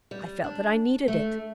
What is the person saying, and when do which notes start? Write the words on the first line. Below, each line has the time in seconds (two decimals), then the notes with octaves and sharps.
I felt that I needed it.'
0.11 G3
0.44 D4
1.08 A3